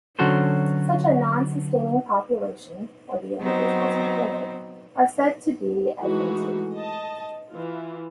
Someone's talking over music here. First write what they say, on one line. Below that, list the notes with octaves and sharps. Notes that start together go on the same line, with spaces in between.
Such a non-sustaining population, or the individuals within it, are said to be adventive.
D3 F#3 C#4 F#4 A4 C5
F#3 B3 C4 D#4 C5
E3 G#3 A3 D#4 F#4
D#5 A5
E3 F4